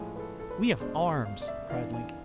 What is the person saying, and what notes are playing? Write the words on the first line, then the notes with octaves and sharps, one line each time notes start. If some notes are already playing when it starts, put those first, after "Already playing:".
"We have arms," cried Lincoln.
Already playing: A2 F3 G#3 G#5
B4
A4
A4
B4
B2 G#3 D4 C5
F5
D5
E5
E3 B3 D4 F5
G#5